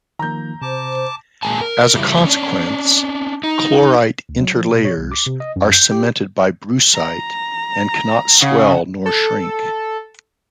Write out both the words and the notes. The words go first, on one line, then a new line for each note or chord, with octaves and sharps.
As a consequence, chlorite interlayers are cemented by brucite and cannot swell nor shrink.
D#3 F3 A#3 A#5 G6
C3 C5 A5 D6
A#2 G#3 G#5 A5
A#4
C#3 E3 G3 A#3 E4 G4
C#4 D4
D#4
D2
F#3
F3
B2
C#5
C2
D6
C3
D#5
F#2
G6
G4
A#5
C#3 F#5
A4